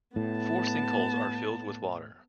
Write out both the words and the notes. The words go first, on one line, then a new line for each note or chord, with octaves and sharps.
Four sinkholes are filled with water.
A2 B3 A5